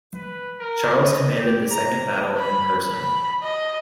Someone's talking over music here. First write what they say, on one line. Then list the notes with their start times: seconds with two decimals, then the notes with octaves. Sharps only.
Charles commanded the second battle in person.
0.15 B4
0.60 A#4
1.03 D#5
1.38 G4
1.71 A#5
2.38 B5
2.91 B5
3.43 D#5